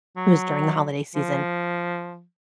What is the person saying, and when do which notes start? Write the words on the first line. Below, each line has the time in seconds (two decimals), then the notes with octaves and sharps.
it was during the holiday season,
0.17 F#3
1.15 F3